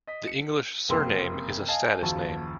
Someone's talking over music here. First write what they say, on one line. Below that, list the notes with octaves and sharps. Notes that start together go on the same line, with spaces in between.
The English surname is a status name.
D#5 B6
C#7
F#1 F2 C3 A#3 C4 C6
D#5 F5 G#5 A5
F#1 D#2 F3 F#4 A5